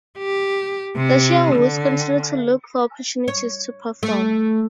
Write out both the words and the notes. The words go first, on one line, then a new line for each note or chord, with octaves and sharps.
The Sherwoods continue to look for opportunities to perform.
G4
C3
D3
C#5
A3